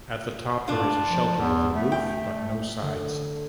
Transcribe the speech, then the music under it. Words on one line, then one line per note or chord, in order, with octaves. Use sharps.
At the top there is a shelter with a roof but no sides.
G2 D4 F4
F3
E2
A3
G5
D3